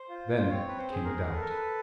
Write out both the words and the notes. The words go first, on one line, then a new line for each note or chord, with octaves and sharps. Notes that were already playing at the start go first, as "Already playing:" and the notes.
Then came a doubt.
Already playing: C5
F4
C5
C4 C#5
B4
C5
G#4
A#4
A4 B4
A#4
B4